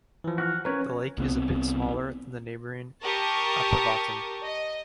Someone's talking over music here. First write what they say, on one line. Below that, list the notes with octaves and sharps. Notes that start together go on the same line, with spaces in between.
The lake is a bit smaller than the neighbouring Apavatn.
E3 F3
F#4 F6
C#4 A#4 B4 C#5
C2 B3 C4
G4 A#4 A5 C#6 D#6
D#5